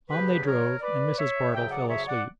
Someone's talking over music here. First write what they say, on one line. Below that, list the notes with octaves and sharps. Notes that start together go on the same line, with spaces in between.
On they drove, and Mrs. Bardell fell asleep.
D2 C#3 F#3 G4 B4
A#4 C#5
B4 D5
C#5 E5
D2 C#3 F#3 E5 G5
G5
D5 F#5
C#5 E5
D5 F#5